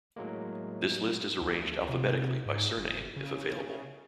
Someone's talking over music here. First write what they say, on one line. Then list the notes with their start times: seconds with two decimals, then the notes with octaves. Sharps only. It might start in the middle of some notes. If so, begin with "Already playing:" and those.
This list is arranged alphabetically by surname if available.
0.16 A2 F#3 G#3 A#3
1.41 D2
1.89 C3
2.46 G#2
2.77 F#1
3.16 C#3